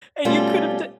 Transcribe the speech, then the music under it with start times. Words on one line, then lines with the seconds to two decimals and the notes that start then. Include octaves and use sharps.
And you could have d
0.25 B2 G3 A3 C#4 F4